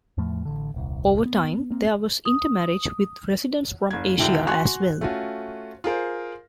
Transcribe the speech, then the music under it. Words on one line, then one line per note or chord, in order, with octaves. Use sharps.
Over time, there was intermarriage with residents from Asia as well.
E2 A2 F3 A3
A1 D3
D#1 C2
B3
A#3 C4
D#6
F#1 G#6
E1 B1 D3 E4 F#4 G5
F#4 G#5 C6 C#6 F#6
A3 C#4 F4 F#4
F4 G#4 A#4 C5